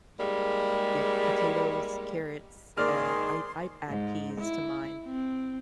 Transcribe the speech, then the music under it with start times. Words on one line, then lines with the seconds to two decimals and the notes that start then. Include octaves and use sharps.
get potatoes, carrots, uh, I'd I'd add peas to mine,
0.19 G#2 G3 G#3 A#3
2.78 G#2 D#3 A#3 G#4 D5 C6 F6
3.88 G#2
4.40 E4
5.06 C4